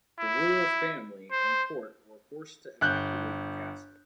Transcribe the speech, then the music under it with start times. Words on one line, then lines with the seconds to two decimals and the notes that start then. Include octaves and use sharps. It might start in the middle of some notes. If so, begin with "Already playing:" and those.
The royal family and court were forced to evacuate the castle.
0.20 E4
1.31 C5
2.81 G1 F#6 G6